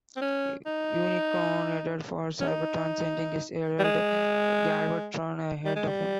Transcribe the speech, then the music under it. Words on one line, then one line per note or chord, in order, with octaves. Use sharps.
Unicron headed for Cybertron sending his herald, Galvatron, ahead of him.
C4
C#4
D#4
C#4
D#4
G3
G#3
G3
G#3
G3